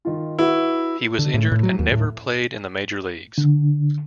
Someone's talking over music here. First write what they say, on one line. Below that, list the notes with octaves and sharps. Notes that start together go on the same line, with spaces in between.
He was injured and never played in the Major Leagues.
D#3 F4
E4 F#4 B4
D3
A2
A2
F#3
D#2
A2
D3